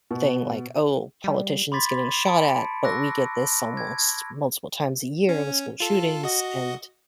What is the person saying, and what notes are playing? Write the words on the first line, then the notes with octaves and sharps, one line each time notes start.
thing like, "Oh, politicians getting shot at, but we get this almost multiple times a year with school shootings," and
B2
G3
B5 C6 D6 G#6 A6 B6
A5 B5 C#7 D7
C#6 D6 E6 F#6 A#6
G#6
C#4
F4 A4
F#4 D#5